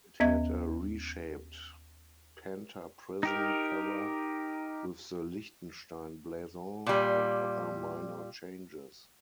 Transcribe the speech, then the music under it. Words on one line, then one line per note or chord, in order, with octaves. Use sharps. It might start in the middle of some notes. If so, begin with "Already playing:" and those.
It had a reshaped pentaprism cover, with the Liechtenstein blason, and other minor changes.
D#2 B3 D#5 G#6
D#4 G4 A#4
A#2 G3